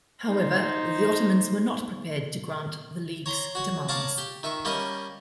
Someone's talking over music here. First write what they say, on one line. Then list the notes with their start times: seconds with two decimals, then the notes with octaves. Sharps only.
However, the Ottomans were not prepared to grant The League's demands.
0.25 D#4 C5
3.26 C#5 A#5 C6
3.55 F#4 C#5
3.88 C#5 D5 F5 A5 A#5 D6
4.18 G4
4.43 D#3 E5 C#6
4.65 G3 A#3 C#4 A#4 D#5